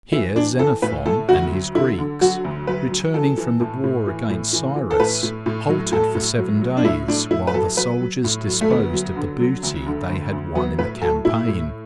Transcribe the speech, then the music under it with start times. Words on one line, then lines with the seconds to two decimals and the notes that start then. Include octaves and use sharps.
Here Xenophon and his Greeks, returning from the war against Cyrus, halted for seven days while the soldiers disposed of the booty they had won in the campaign.
0.12 E3 E4
0.36 E3 D4
0.59 E3 A4
0.82 A2 B4
1.06 A2 A4
1.29 D2 F#4
1.52 F#3
1.75 D3 E4
1.98 D3
2.21 F#3 F#4
2.45 D2
2.67 F#3 B4
2.91 F#3
3.14 E3 A4
3.38 E3
3.60 A2
3.84 A2
4.07 E3
4.30 A2
4.53 E3
4.76 E3
4.91 A4
4.99 A2 B4
5.23 A2
5.46 A2
5.69 F#3
5.92 A2 A4
6.15 A2
6.38 F#3
6.61 F#3
6.77 D4
6.85 A2 E4
7.08 A2 D4
7.31 A2 E4
7.47 B4
7.54 F#3 A4
7.77 F#3 B4
8.01 F#3
8.24 A2
8.47 F#3
8.61 A3
8.70 D2 B3
8.93 F#3
9.16 D3
9.40 F#3
9.63 D2
9.86 D3
10.09 D2
10.32 D2
10.55 F#3 B3
10.78 A2 B4
11.02 F#3 A4
11.25 A2 E4
11.48 A2